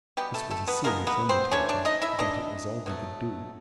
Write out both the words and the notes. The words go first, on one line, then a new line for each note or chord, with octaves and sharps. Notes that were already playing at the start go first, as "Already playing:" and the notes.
This was a serious undertaking, but it was all they could do.
B2 G3 G#3 B3 G4
A3 A4
A3 A4
B3 B4
B2 G#3 A#3 B3 A#4
B3 B4
C4 C5
E3 A3 C#4 D4 C#5
D4 D5
D#4 D#5
E4 E5
E3 A3 D4 D#4 D#5
B2 F#3 A3